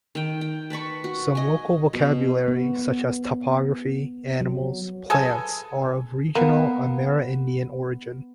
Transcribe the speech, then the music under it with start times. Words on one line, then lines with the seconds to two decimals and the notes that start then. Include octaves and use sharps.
Some local vocabulary, such as topography, animals, plants are of regional Amerindian origin.
0.15 D#3 G5
0.41 G5
0.70 B4 A5 B5 C#6
1.04 F#4
1.35 D#5 G#5
1.93 B2
2.48 B3
4.41 F#3
5.10 G#4 A4 B4 G#5
6.35 A#3 B3 E7